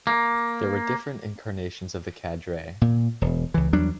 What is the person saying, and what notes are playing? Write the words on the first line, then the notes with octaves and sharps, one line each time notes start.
There were different incarnations of the Cadre.
A#3
A#2
E1
C#2 E3
E2 F#3 G3 D4